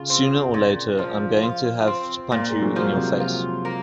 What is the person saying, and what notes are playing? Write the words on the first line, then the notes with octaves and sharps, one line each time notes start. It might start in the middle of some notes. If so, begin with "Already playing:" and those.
Sooner or later I'm going to have to punch you in your face.
Already playing: C#3 F4
C4
A#2
F3
F4
C4
A#2 A#3
G#3
F#3
F3
C3
F4
A#3